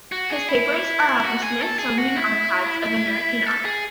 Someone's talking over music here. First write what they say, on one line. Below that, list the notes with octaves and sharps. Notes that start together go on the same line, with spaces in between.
His papers are at the Smithsonian Archives of American Art.
F#4
G#4
E4
F#4
G#4
A4
G#4
F#4
E4
A4
G#4